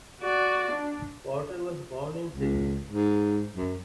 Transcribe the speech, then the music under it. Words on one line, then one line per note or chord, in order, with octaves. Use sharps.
Porter was born in Sydney.
F#4 D5
D4
C#2
G#2
F#2